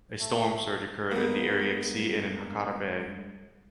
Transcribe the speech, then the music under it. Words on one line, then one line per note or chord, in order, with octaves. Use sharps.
A storm surge occurred in the Ariake Sea and in Hakata Bay.
A3
G2 G#3 A#3 B3